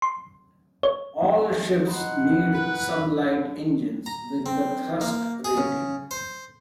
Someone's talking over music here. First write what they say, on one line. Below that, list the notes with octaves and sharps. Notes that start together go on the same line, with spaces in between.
All ships need sublight engines with a Thrust Rating.
C6
C#5
D#4 F#5 B5 C6
B4
A#5
C4
A#3
G#4
C#3
C5